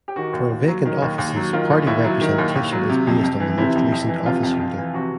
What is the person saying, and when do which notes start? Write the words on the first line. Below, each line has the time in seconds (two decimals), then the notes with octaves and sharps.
For vacant offices, party representation is based on the most recent officeholder.
0.08 G4
0.16 D#3 F#4
0.33 D#2
0.51 D#2
0.68 F#3
0.85 D#3
1.02 D#2
1.18 D#2
1.36 F#3
1.53 D#3 F4
1.70 D#2
1.87 D#2 E4
2.04 F#3
2.21 D#3
2.38 D#2
2.56 D#2
2.72 F#3
2.89 C3
3.07 F2
3.23 F2
3.40 E3
3.58 C3 E4
3.75 F2
3.92 F2
4.08 E3
4.26 C3 F4
4.43 F2
4.60 F2
4.78 E3
4.94 C3 F#4